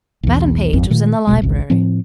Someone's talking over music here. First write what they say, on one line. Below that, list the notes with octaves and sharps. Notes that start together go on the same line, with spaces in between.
Madam Page was in the library.
B1 E2
G#1 F2 C4
A#2 D#3 A3
E1 A#1 B2 G#3
G#1 C#2
A2 F3 C4